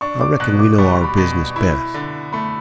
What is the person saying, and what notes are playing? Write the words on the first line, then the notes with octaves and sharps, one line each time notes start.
I reckon we know our business best.
D4 C#6
D6
B2 F#6
D6
G3 C#6
B5
B2
E4 B5
D3
A3 B5